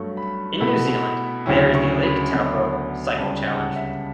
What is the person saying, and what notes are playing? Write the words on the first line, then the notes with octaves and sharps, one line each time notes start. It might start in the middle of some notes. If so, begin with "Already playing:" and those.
In New Zealand, there is the Lake Taupo Cycle Challenge.
Already playing: G2 F#3 A3 C#6
B5
B2 A3 E4 B5
B5
D2 C#3 F#3 C#4 E4
C#6
B5
D2 D3 F#3 B3
C#2 C#3 G3 A5
F#5
E5